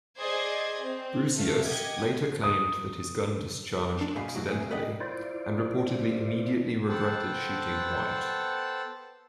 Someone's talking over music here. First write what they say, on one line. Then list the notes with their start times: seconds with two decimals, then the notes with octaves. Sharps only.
Brocius later claimed that his gun discharged accidentally and reportedly immediately regretted shooting White.
0.18 G#4 C5 D5 D#5 G#6
0.81 C4
1.35 A3 A4 E5 F5
1.64 G4 D#5 F#5 G#6
2.44 D#6
4.01 D4
4.16 B2 G#4 F5 B5
4.34 A2 E3 F#3 F#4
4.51 C3 F3 G#4
4.71 A#4 B4 D5 D#5 F#5 G5
5.00 E4 F4 C5 D5
6.89 B3 A4 C5 F#5 G5 A5